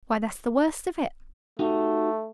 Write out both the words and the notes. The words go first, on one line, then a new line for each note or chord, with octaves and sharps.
'Why, that's the worst of it.
A3 D#4 F#4 G4